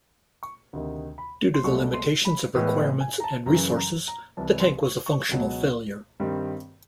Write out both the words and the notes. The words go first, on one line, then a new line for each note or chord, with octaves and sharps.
Due to the limitations of requirements and resources, the tank was a functional failure.
C#6
D2 C3 D#3
B5
C6
C2 B2 F#3 A3 C#6
C6
B5
A2 E3 G#3 B3
G#5
A#5
A5
F#2 C#3 E3 A#5
A#5
A#5
C2 C3 E3 A5
C6
C#6
C#6
C#2 B2 F#3
G2 D#3 G3 C4